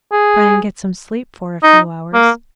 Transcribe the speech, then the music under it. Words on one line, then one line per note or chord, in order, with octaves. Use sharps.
Try and get some sleep for a few hours.
G#4
D#4
A#3